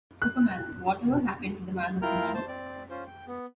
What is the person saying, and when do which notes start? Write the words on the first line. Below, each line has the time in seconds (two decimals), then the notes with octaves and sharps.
Superman: Whatever Happened to the Man of Tomorrow?
0.22 F#6
2.02 E4 F4 A#4 G5 A#5 F6
2.34 C5 A5
2.47 C4 D5
2.90 C#4 F4 C5
3.07 G5
3.27 B3